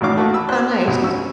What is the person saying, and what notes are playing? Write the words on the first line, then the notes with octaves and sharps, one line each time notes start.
Aw, nice.
G#1 A2 D4 F#4 F5 D6
A3 A#3 F#4
B5 E6
F#4 C5 F#6
B1 C3
B2 F#3 C#4 E6